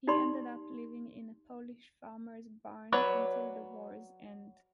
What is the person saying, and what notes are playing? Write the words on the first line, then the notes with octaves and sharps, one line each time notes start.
He ended up living in a Polish farmer's barn until the war's end.
D#4 G4 D5 B5 C6
F#3 B4 C#5 D5